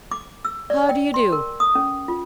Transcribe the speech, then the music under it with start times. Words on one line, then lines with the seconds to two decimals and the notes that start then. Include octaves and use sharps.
How do you do?
0.11 D6
0.45 E6
0.70 D5
0.89 G5
1.14 C6
1.32 A#4
1.60 D#6
1.75 C#4
2.08 F4